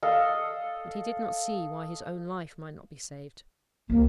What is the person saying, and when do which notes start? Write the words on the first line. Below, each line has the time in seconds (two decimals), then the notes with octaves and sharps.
But he did not see why his own life might not be saved.
0.03 A4 D#5 F5
3.90 C#2 A#3